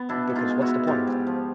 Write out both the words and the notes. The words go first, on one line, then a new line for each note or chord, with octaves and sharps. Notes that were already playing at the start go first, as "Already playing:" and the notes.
Because what's the point of them?
Already playing: B3
B2 D4 E4
B2
D#4 F4
G#3
E4 F#4
B3
G#2 F4 G4
G#2
F3